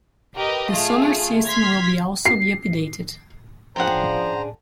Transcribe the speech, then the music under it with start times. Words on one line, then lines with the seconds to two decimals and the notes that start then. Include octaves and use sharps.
The sonar system will be also be updated.
0.35 G4 A#4 B4 D#5
0.71 A3 F4 G#4
1.46 C6 F6 G#6 B6
2.25 C7
3.76 C#3 F3 D4 G#4 C5 F#5 G5 A#5